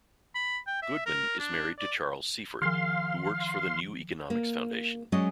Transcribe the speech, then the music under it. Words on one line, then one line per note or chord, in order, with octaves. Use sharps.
Goodman is married to Charles Seaford who works for the New Economics Foundation.
B5
G5
E5
A#4
D4
D5
D#3 F3 F5 C6
A#3
F#3 G#3 C#4 D5 D#5